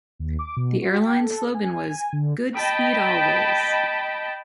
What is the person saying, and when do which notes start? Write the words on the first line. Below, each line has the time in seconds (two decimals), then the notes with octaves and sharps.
The airline's slogan was "Good Speed Always".
0.19 D#2
0.39 D6
0.57 B2
0.82 F#4
0.96 G5
1.19 A4
1.54 G#5
2.13 D3
2.54 D#5 G5 A5 B5